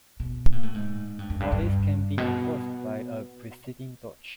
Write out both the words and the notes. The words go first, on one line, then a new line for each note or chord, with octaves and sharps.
All these can be enforced by a preceding "doch".
B2
A#2
A2
G#2
G2
F#2
G2
G2
B2